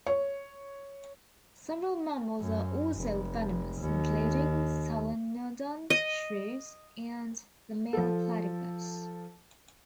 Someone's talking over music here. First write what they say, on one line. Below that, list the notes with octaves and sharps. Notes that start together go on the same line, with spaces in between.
Several mammals are also venomous, including solenodons, shrews, and the male platypus.
C#5
F#2
F1
D#2
D#5
F3 A4